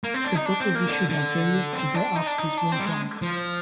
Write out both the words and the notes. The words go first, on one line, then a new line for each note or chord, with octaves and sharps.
The book is issued at various Tibet offices worldwide.
A#3
C4
D4
D#4
D4
C4
A#3
D3
D3
C4
D4
D#4
D4
D#4
D4
C4
G3
G#3
F3